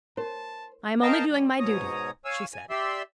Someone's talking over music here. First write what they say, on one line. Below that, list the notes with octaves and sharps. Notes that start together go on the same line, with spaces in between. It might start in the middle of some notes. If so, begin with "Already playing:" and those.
"I am only doing my duty," she said.
A#4 C5 A5
A#4 D#5 F5 G5 A5 A#5
G3
G#2 B2 C#5 A#5 D#6
C#5 F5 G#5 E6
G#5
G4 D5 E5 C6 E6